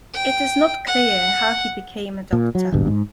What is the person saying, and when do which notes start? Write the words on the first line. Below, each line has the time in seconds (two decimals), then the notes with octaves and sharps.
It is not clear how he became a doctor.
0.14 G5
0.87 F#5
2.33 A#2
2.55 F#3
2.72 D#1 G#1 G2 B2
2.87 G#2